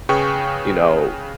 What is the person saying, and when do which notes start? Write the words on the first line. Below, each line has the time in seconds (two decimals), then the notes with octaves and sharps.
you know
0.09 C#3 G#4 B4 G5 C#6